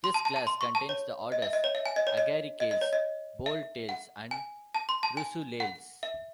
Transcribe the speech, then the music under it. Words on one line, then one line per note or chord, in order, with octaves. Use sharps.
This class contains the orders Agaricales, Boletales, and Russulales.
C6
A5
A5
A5
C6
C#6
A5
C#5
D#5
E5
D#5
C#5
E5
G#5
D#5
C#5
D#5
D#5
D#5
C#5
D#5
E5
F#5
G#5
A5
C6
A5
G#5
F#5
E5